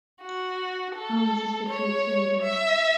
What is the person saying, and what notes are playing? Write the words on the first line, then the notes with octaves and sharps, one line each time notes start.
Hans is the troupe's leader.
F#4
A4
C#5
E5